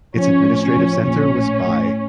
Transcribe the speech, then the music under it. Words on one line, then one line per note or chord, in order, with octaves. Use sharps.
Its administrative centre was Buy.
F3 C#4
A2
C#4
F3
A#1 C#4
A2
A2